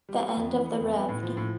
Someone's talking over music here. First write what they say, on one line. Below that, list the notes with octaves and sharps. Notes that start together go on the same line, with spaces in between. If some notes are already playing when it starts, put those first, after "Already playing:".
The end of the Revd.
G3
B3
F2
E3
B3
F2
B3
A2
F3
A2